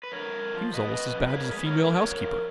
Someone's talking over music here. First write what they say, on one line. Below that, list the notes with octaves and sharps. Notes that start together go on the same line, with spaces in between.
He was almost as bad as a female housekeeper.
B4
F2 A#4 C#5
F2
F3
F2 B4 D#5
F2
F2
B4
G#2 A#4 C#5
G#4 B4
G#2
A#4 C#5
G#2
A#4 C#5
F3 A#4 C#5
F3